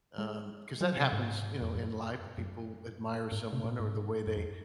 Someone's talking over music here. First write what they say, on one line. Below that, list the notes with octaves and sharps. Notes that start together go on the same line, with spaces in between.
Um, 'cause that happens, you know, in life when people admire someone, or the way they,
G#3
F#3
C3
G#2
F2
F#2
F#2
G#2
C3
A#2
G#2
F#2
F2